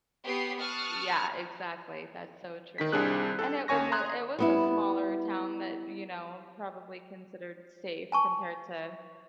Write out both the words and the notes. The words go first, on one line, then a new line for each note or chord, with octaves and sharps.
Yeah, exactly, that's so true. And it was a it was a smaller town that, you know, probably considered safe compared to
B3 G4 C#5 B5 D#6 C7
A5 C#6 D#6 F6 F#6
D#3 D#4 B6
C2 G3 C4 D4 G#4 F#6
A4
D#2 C#4 C#5 G#5 C#6 A#6
A#5 C6 D#6 F#6 G#6
G3 B3 E4
G#5 A5 C#6